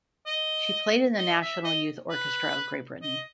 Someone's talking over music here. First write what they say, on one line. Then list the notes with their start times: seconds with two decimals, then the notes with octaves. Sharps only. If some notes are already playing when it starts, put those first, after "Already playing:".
She played in the National Youth Orchestra of Great Britain.
0.27 D#5
1.18 D#5
1.42 E5
1.64 D#5
2.10 B4
3.03 D#5